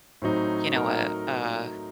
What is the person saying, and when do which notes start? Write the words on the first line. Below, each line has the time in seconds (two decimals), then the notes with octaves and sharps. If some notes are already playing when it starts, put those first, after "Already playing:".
you know, a a
0.22 A2 F#3 C4 D#4
0.76 A#4